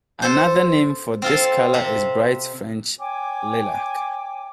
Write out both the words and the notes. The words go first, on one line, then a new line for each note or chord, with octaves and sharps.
Another name for this color is bright French lilac.
A4 C5
C4 F4 A4
C3
C#5 G5 G#5 D6